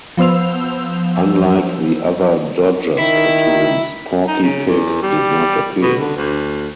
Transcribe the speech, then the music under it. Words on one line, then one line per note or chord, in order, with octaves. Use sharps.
Unlike the other Dodgers cartoons, Porky Pig did not appear.
F3 B3 C5 E6 F7
D#3 E4
D#4
C#3
E2
G3
B2
D3
D2